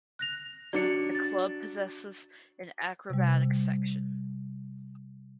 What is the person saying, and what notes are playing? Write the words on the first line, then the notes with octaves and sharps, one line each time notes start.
The club possesses an acrobatics section.
F#6 A#6 F7
F#3 D4 D5 C#7
A6
C3 G3